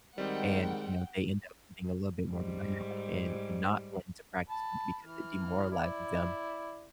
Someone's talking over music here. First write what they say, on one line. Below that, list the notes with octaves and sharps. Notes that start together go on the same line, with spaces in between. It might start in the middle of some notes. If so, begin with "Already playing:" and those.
and, you know, they end up getting a little bit more mad and and not wanting to practice on it because it demoralizes them
D#3 G3 G#3 C4 F#5 G5
G#2 G3
A5 B5
E3 F6
E4 D5